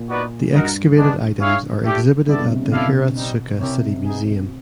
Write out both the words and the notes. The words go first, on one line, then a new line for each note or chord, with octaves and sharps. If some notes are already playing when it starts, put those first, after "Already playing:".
The excavated items are exhibited at the Hiratsuka City Museum.
Already playing: A#2
B3 D#4 F#4 B4 D5
G2 D#4 F#4 A#4
G#3 B3 D4
G2 E4 G#4 C#5 F5
A3 D4 G4
G2 B3 E4 A4 D5
B2
C3
C#3
C3
B2 E4 A4 D5 F5
G3 C4 D#4
C3 C#4 E4 G4 A#4 C#5
B3 D#4 G#4